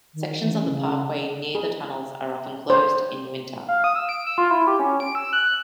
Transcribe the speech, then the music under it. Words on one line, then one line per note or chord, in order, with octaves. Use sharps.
Sections of the parkway near the tunnels are often closed in winter.
D#3
E3
C#4
C#3
G#4
C5
F5
D#6
E6
D7
E6
F4
E4
G4
C#4
D7
E6
F#6